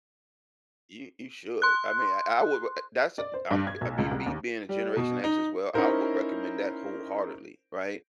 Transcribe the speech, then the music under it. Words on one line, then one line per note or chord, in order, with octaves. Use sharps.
you you should. I mean, I I would, but i that's a I'm I mean, me being a Generation X as well, I would recommend that wholeheartedly, right?
C6 F#6
D5
C5
G2
G#6
B1
C#2
C2
D#2
G3
B2
D#4
C#4 D#4 E4 A#4 C5